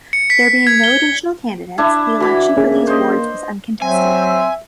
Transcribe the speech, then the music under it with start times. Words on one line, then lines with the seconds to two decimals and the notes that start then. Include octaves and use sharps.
There being no additional candidates, the election for these Wards was uncontested.
0.13 C#7
0.30 B6
0.67 G#6
0.84 G7
1.78 D4 E4
2.20 E3 F#4 B5
2.57 A#3 C#4 G#4
2.87 C5 D#5
3.82 F#3 C4 E5 G#5